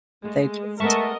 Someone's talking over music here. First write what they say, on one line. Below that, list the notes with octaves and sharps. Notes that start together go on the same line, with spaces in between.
they just
G#3 A3
G#3 A3 B3 A#4 D#5 E5 A5 C#6